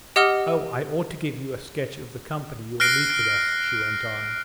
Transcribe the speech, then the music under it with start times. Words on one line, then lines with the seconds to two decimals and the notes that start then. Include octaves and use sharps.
"Oh, I ought to give you a sketch of the company you will meet with us," she went on.
0.16 G4 D#5 F#5 D#6 F6 G7
2.80 F6 F#6 A#6 C7 D7